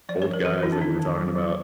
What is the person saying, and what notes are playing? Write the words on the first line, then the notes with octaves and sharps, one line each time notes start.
old guys, like, we were talking about.
F3 D5
C#5
F3
A#4
E3 A4
E3 E4
D4
D#3 D#4
D#3
F#3
F#3